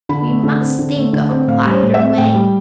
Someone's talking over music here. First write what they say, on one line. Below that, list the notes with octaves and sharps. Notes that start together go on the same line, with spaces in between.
"We must think of a quieter way!"
D3 B5
A3
D3
C4
D3
A3
D3
C4
A2 F5
G3
C5
A2
E5
C4
A2 G5
G3